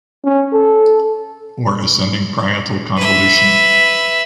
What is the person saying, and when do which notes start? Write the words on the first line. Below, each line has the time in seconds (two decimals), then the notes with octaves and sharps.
Or ascending parietal convolution.
0.24 C#4
0.53 A4
2.97 B4 E5